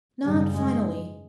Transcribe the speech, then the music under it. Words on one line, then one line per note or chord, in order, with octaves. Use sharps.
'Not finally.
G#1 F#2 C#3 G3
G#1 G#3